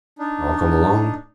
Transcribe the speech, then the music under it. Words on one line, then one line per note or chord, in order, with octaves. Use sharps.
"I'll come along."
D4 D#4